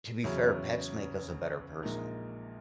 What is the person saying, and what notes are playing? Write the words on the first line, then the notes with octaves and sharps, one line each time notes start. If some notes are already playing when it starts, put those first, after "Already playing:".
To be fair, pets make us a better person.
E2 C#3 F#3 C#4 E4
A#1 A#2 G#3 D#4 A#4